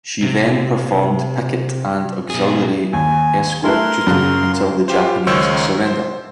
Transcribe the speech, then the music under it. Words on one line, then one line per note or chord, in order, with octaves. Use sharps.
She then performed picket and auxiliary escort duty until the Japanese surrender.
C3
B2 G#4
D#2 G#5
A3 E4 A#4 B4 C6
F#2 C#3
F4 G4 C5
C#2 D#3 D#4 C5 C#5 E6
C5